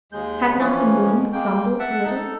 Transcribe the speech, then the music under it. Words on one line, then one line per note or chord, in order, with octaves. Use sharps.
Had not the moon crumbled a little?
D#2 G#3 G6
E3 F3 C#4
B2
G#3 A#3 G5
E5 F#5 A5
D#4 A4